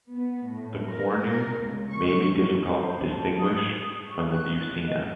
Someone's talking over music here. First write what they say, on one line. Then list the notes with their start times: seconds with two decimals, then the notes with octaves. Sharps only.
The "cornu" may be difficult to distinguish from the buccina.
0.12 B3
0.49 A2
0.86 A#4
1.18 A#4
1.63 C#2
1.92 C#6
2.69 C5
3.06 A5
3.39 D#6
4.06 C#6
4.29 F#6
4.86 D#5